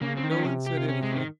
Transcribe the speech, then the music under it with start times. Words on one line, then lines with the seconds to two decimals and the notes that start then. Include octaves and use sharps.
But no one said anything.
0.02 C#3 A#3
0.17 C4
0.24 D#3
0.31 C#4
0.39 C4
0.45 C3 C#4
0.66 G4
0.77 F4
0.88 C#4
1.03 G#3
1.12 C#3
1.16 D#3